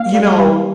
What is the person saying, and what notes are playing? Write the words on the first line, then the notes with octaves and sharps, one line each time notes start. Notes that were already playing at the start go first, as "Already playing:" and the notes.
you know,
Already playing: A#3 F5
G3
G3